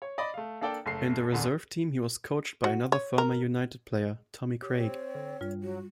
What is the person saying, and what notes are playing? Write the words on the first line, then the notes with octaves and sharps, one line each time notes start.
In the reserve team he was coached by another former United player, Tommy Craig.
C#5
D5 D#5 B5
A3 F5
A#3 D4 A4 D5 G5
F#1 A3 C7
E2 G#2 D3 D#3
F#4
C#5
A#4
G4 C#5
C4
D3
G2 G3 F4
F#3 F#4